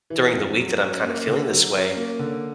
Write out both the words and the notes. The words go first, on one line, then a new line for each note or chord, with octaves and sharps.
during the week that I'm kinda feeling this way.
E3
F2
F#3
C#4
A#3
D3
F#3
C#4
A#3
D3